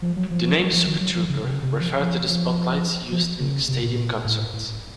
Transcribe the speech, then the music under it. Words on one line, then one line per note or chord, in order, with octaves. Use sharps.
The name "Super Trouper" referred to the spotlights used in stadium concerts.
F3
F#3
F3
F3
F#3
F3
D#3
F#3
F3
C#3
C3
C#3
C3
C#3
F3
F3
F3
F3
C#3
C3
A#2
A2
A2